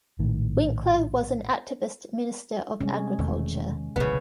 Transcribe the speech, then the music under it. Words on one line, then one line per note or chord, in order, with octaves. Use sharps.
Winkler was an activist Minister of Agriculture.
A#1 A2 D#3
C3 G3 G#3 C#4 D4
E1 E2 D#3 A3
D1 B1 C#3 E3 B3